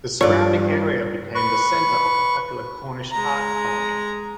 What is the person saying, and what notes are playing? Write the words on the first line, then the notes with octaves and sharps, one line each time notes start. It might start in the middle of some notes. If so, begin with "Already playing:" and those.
The surrounding area became the center of the popular Cornish Art Colony.
G2 F4 C#5 D5
B4 C#6
G#3 A#5